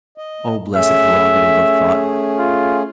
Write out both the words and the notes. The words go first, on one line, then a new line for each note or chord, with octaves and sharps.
O blessed prerogative of thought!
D#5
A3 C#4 G#4 E5
F4